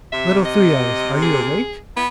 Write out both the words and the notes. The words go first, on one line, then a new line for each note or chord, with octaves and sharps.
'Little Three-eyes, are you awake?
C3 E5
D#5
G#4
B3 E4